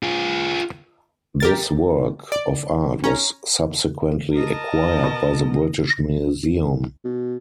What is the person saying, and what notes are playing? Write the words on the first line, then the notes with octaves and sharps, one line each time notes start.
This work of art was subsequently acquired by the British Museum.
F4 G#4
G4 A#4 A6
D5
C#4 A#5
A#4 D#5 A5
B2
B2